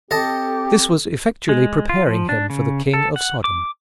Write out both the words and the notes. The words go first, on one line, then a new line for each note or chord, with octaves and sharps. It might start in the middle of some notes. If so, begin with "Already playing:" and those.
This was effectually preparing him for the king of Sodom.
C4 G4 A4 D#5 A5
G#3
F4
F3
D4
C#3
A4
F#5
D6